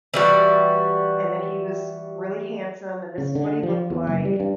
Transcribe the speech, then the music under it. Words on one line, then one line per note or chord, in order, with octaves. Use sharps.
and that he was really handsome, and this is what he looked like,
E3 G3 F#4
C#3
D3
F3
E2
F#1
G3
G2